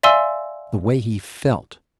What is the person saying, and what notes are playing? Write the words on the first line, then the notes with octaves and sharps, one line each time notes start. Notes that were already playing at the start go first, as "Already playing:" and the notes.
The way he felt.
D5 E5 F5 G#5 C6 E6